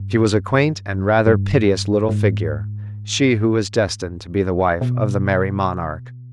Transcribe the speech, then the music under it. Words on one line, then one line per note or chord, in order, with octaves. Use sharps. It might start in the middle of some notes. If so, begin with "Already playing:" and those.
She was a quaint and rather piteous little figure, she who was destined to be the wife of the Merry Monarch.
Already playing: G2
G2
G#2
B2
G#2
B2